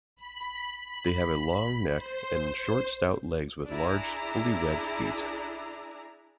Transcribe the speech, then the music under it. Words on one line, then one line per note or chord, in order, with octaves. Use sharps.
They have a long neck and short stout legs with large, fully webbed feet.
B5
B5
C5
D4 E4 G#4 A#5